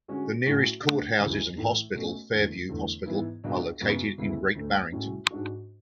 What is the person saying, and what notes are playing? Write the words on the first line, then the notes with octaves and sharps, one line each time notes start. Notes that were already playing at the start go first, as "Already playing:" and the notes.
The nearest courthouses and hospital, Fairview Hospital, are located in Great Barrington.
D3 G#3 C#4 F#4
A2 F#3 A3 C#4 F#4
D3 A3 D4
D2 C#3 E3 G#3
A2 E3 A3
B2 A3 C#4
E2 D3 A3
E2 D3 A3
G#2 E3 B3 E4
C#2 B2 G#3 D4
F#2 C#3 F#3 B3 F#4
D2 C#3 G#3 B3 E4
D2 D3 A3
A2 G#3 C#4 F#4
G#2 G#3 D4 F#4